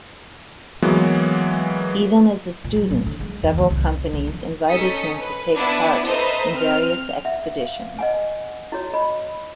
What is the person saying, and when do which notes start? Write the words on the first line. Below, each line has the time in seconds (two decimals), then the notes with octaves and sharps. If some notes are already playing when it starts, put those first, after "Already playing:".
Even as a student, several companies invited him to take part in various expeditions.
0.82 E3 F#3 G#3 A#3 B3
2.64 A#2
2.76 F#3
2.91 A#1
3.06 D3
3.20 G#3
3.43 E2
3.58 D#2
3.70 C2
4.13 D3
4.27 F2
4.69 C#4 D#4 A4 D#6 B6 C#7
5.19 B4
5.56 B3 D4 E4 B4
6.06 A4 B4 C5 D#5 E5 A#5
6.51 C4 F6
7.25 E5 F#5
7.61 F5
7.99 D#5 F#5 G#5
8.72 E4 F#4 C#5
8.94 D#5 B5